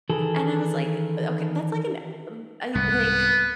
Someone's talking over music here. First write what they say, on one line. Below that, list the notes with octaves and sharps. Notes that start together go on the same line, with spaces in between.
And I was like, "Eh, okay, that's like an, um, I like,
D#3 E3 G#4 A4
C2 G#2 B3